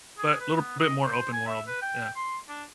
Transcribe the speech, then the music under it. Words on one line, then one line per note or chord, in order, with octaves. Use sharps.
but little bit more open world. Yeah.
G#4
B4
B3
D#5
C5
G#5
E5
B4
G5
C6
D4